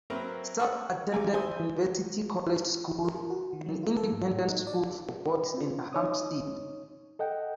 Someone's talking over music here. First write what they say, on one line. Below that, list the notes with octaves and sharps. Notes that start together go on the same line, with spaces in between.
Self attended University College School, an independent school for boys in Hampstead.
F#3 A#3 C4 A#4 B4 E5
F#5 A5 C#6 E6
G#1 G#5 D6
E4 C5 G#5 D#6
A#4
F#4
D#3
F#3
F4
A4
G#2
A2
D#4
D5
C4 F4
D#4 C#5 D#6
A4 D#5 F#5 G5